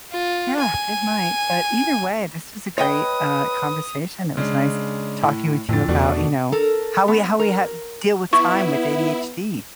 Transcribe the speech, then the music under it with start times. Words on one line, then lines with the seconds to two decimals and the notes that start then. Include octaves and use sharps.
Yeah, it might, but either way, this was a great, uh, conversation, it was nice talking with you about, you know, how we how we hav deal with time with ADHD.
0.12 F4
0.59 G#5
2.78 B4 C#5 D#5 G5 D#6
4.37 C#3 G#3 D4
5.22 A2
5.69 F2 A2 E3 A6
5.89 E2 B2 A3 D4
6.52 A4 A#4
7.08 B3
7.39 A#4
8.33 B3 E4 C#6